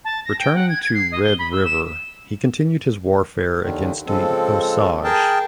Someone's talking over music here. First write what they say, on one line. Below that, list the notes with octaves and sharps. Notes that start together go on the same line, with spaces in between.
Returning to Red River he continued his warfare against the Osage.
A5
A#6
G5
F#5
G#6
G#6
C7
D#5
G7
B5
E6
E7
D#2 D3 D#3
C#3 F3 G#3 C4 A4
G#4 A#4 G5 A5